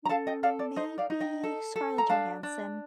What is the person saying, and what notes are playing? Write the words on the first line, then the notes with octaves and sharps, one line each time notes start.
maybe Scarlett Johansson.
A#5
A4 F5 A5
D#5 G5
A4 D5 F5
D5
D#4 C5 D#5
D5 F5
D#4
D#5 G5
A4
A4
A#5
D4 F5 A5
D4